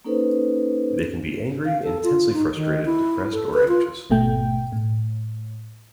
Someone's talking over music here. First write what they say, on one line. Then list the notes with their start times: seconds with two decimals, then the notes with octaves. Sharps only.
They can be angry, intensely frustrated, depressed, or anxious.
0.04 A#3 C#4 D#4 A4 B4 C5
1.66 F5
1.83 A4
2.03 F4
2.34 D#4
2.56 D#3
2.85 E4
3.33 A4
3.54 B4
3.68 F4
4.10 G#1 B2 A3 G5
4.72 A2